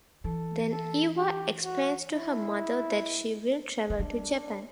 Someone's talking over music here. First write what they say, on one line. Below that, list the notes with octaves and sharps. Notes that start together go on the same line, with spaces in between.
Then Eva explains to her mother that she will travel to Japan.
E3 A4
A4
G4
F#4
E4
A3
G3 D4